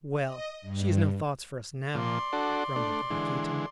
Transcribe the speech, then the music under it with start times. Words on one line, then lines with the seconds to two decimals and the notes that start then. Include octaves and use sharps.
"Well, she has no thoughts for us now!" grumbled Rakitin.
0.24 D#5
0.61 G2
1.95 A#2 F3 D5 C6
2.33 D4 F#4 A4
2.76 A3 D4
3.10 D3 E3 G#3